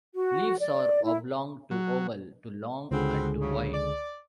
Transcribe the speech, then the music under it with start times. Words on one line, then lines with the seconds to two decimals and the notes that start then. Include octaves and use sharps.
Leaves are oblong to oval, to long and to wide.
0.14 F#4
0.59 D5
1.03 E4
1.71 F#3
2.91 C#2 B2 D3 C4 G#4
3.41 D2 G#2 C#3
3.73 D5